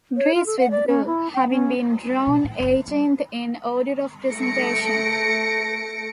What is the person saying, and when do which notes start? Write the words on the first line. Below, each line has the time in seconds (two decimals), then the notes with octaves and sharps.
Greece withdrew, having been drawn eighteenth in order of presentation.
0.17 C#5
0.34 F4
0.46 A4
0.59 F#5
0.71 D5
0.88 C#4
1.06 E4
1.34 G5
1.50 C#4
2.27 B2
2.44 A2
2.60 F#1 C#4
2.75 D#3 F3
2.88 G3
4.30 A3 A#6 C#7 D7